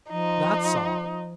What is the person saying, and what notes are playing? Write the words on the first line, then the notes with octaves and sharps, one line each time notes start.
That's all.
F3 D#4